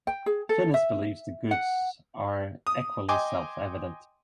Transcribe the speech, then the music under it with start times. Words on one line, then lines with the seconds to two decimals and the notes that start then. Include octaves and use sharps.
Finnis believes the goods are equally self-evident.
0.07 G5
0.26 G#4
0.49 A4
0.74 E5
1.51 F#5
2.67 D#6
3.09 D#5 G5 G#5 C6 D6